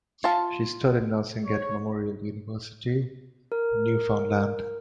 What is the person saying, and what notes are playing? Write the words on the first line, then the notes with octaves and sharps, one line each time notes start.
She studied nursing at Memorial University, Newfoundland.
F4 A5
C#5
A#4